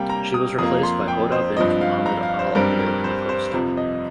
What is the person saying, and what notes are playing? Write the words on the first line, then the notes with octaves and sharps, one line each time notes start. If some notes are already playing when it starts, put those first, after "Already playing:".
She was replaced by Hoda bint Mohammed Al Amil in the post.
Already playing: C3 G3 A#3 G5
A#5
D#6
F2 F3 A#3 D#6
C6
G5
C5
G2 F3 C4 D#5
F5
A#5
F5
C5
G2 G3 C4 A#4
A#4
C5
C5
F2 C3 F3
D#5